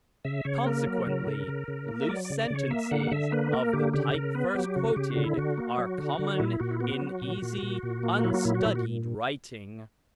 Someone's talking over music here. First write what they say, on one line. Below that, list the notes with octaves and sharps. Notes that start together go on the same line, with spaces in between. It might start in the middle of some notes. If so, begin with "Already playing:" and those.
Consequently, loose sentences of the type first quoted are common in easy, unstudied writing.
C#3 E5
C#3 C#5
A#3 A#4
F#3
C#3
C#3
C#3
C#3
A#3
E5
F#3 D5
D5
C#3
D5
C#3 C#5
A#3 E5
D3 F#5
D3 E5
A#3 B4
A#3 A#4
D3 G4
C#3 G4
C#3 A#4
B3 B4
F#3 G4
C#3 F#4
C#3 G4
F#4
D3
E4
D3 F#4
A#3
F#3
D3
D3
A#2 E4
A#2 F#4
E4
B3 F#4
F#3
A#2
A#2
A#2
A#2
A#3
F#3 E4
F#4
A#2 E4
F#4
A#2 E4
F#4